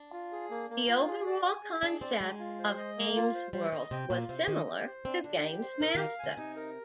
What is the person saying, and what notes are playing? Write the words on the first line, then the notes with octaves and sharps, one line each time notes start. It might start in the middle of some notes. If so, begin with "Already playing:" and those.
The overall concept of "Games World" was similar to "GamesMaster".
Already playing: D4
F4
G#4
A#3
A#3
F4
G#4
D5
G#5
G#4
D4 G#4
C4 D5
G#3 G#5
F4
C5
D#5
A#3
F4
C5
G3 C5
D#3 D#5
C3 G5
A#2 F4
C3 C5
D#3 D#5
G4
C5
C4 D4
D3 D4
G4
C5
C3 A#4
D#3 F5
D3 G#5
C3 D#4
A#4